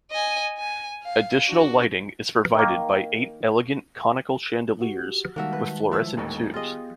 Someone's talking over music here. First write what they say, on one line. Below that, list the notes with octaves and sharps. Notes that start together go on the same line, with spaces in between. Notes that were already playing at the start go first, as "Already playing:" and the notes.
Additional lighting is provided by eight elegant conical chandeliers with fluorescent tubes.
D#5 G#5
G#5
F5
D4 F#4
D#3 A#3
F#4 G4
D#3 G3 G#3 A#3 F#4 E5 A5
B4
F3 E4 E6
D#1 A1 D#2
B3 F4 G4 G#4 D#5